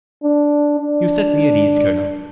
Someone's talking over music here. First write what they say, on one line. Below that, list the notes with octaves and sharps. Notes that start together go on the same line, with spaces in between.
"You set me at ease, Colonel."
D4
D4